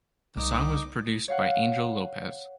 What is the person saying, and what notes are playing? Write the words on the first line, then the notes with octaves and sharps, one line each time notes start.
The song was produced by Angel Lopez.
C2 D#4 D6
C#5 F5 F#5